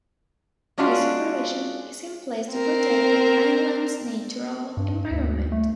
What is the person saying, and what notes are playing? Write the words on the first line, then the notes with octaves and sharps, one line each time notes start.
This supervision is in place to protect the island's natural environment.
G#3 C#4 D4 F4 F#4 G#4
C4 A#4
G2
D2
A3